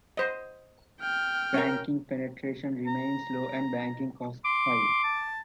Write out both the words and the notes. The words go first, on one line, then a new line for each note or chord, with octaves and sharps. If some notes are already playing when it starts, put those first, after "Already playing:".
Banking penetration remains low and banking costs high.
C5 D#5
G5 F6
C#4 A#4
A#5
C6 D6
A5